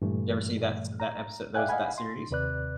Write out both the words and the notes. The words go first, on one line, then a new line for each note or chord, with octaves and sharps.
You ever see that s that episode those that series?
G2 A#2 E3 A3
A#5
D5 E5 F5 G5 G#5 F#6
D#5 F5 F#5 G#5 B5
C6
D#2 C3 B4 D5 F#6